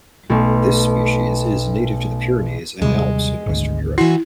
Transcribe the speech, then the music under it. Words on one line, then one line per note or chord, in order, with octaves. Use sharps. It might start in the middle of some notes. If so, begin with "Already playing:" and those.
This species is native to the Pyrenees and Alps in western Europe.
B1 A3
D#2 C3 G3 G#3
G#1 D2
E3 E4 F#4